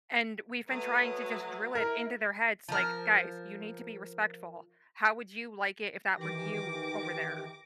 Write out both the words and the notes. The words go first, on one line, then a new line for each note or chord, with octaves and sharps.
And we've been trying to just drill it into their heads, like, "Guys, you need to be respectful. How would you like it if that were you over there?"
F#3 A3 B4 D#6
E4 A#4
F3 A#4
D#3 E3 G4 D6 A#6